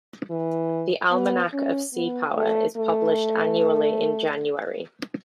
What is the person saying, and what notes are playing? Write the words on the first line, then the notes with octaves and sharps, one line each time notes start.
The "Almanac of Seapower" is published annually in January.
E3
B3
C#4
B3
A3
A3